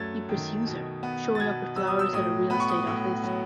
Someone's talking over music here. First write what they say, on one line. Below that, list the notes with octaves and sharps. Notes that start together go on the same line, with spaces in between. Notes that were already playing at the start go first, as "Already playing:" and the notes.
He pursues her, showing up with flowers at her real estate office.
Already playing: F#2 F#3 A3 G#6 A6
D#3
B2
B3
A6
B2 G#6
F#3 E6
D#6
E6
A2 D#6
B3 B5
C#6
D#6
A2
F#3